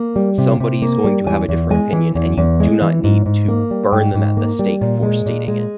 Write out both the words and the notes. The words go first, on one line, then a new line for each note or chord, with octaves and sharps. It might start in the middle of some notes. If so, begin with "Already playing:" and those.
somebody's going to have a different opinion, and you do not need to burn them at the stake for stating it.
Already playing: A#3
G3
C3
C3
A#3
G3
E2 G#5
E2
G#3 G#5
E3
E2
E2
G#3
E3
G#2
G#2
A#3
G3
G#2 G5
G#2
A#3
G3
A#2
G#3
A#2
G#3